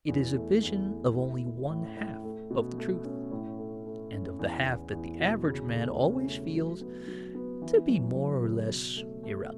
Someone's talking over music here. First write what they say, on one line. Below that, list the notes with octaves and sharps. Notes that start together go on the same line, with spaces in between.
It is a vision of only one-half of the truth, and of the half that the average man always feels to be more or less irrelevant.
E2
A3
E2
A3
E4
A3
A2
A2
A3
B2
A3
C#4
A2
A3
A3
C#4
E2
E2
E2
B2
C#3
A3
C#4
A3
F#3
B3
F#3
B3
E3
F#2
F#2
C#3
B2
A3
A3